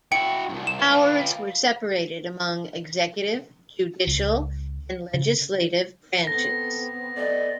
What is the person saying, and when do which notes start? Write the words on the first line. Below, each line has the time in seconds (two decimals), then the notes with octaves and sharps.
Powers were separated among executive, judicial, and legislative branches.
0.12 E4 F#4 G5 C#7
0.49 C2 G2
0.67 E7
0.79 F4 B4
4.07 C#2
5.14 C#3
6.27 B3 C4 A4 A#6
7.17 A3 D5 D#5